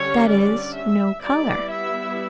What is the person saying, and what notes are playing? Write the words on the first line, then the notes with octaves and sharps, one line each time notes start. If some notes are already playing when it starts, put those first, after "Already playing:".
That is, no colour.
Already playing: D3 G3 C#4 C#5
D5
E5
G3 B3 E4 D5
E5